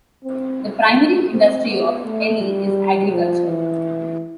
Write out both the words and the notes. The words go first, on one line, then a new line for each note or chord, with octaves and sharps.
The primary industry of Elie is agriculture.
C4
C4
B3
A3
G3
F3
E3